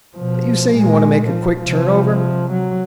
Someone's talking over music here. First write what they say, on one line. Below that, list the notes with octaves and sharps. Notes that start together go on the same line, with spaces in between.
But you say you want to make a quick turn-over?
B2 F3
A#2 G#3
F3
C3 F3
F#3